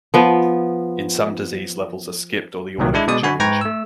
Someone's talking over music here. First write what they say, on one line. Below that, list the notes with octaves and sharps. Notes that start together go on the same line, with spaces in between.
In some disease levels are skipped or the order can change.
F3 B3
C2 A#2 D#3 F#3
G#3 D4 E4
B2 G#3 D5 D#6
D3 F#4 G#5 B5
G#2 B4 G5 A#5 C#6 G#6
A3 E6